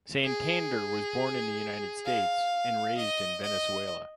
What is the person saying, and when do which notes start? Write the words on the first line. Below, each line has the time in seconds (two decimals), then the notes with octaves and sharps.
Santander was born in the United States and raised in Venezuela.
0.24 G#4
2.05 F5
2.97 D#5
3.42 D#5